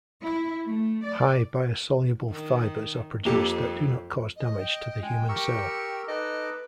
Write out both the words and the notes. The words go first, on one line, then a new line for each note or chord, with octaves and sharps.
High biosoluble fibres are produced that do not cause damage to the human cell.
E4
A3
D5
D#3
F2 A#3 G4 A4
D#5
G5
G#3 G5 G#5
G4 A#4 C#6 E6
D#4 A4 B4 D#5 D6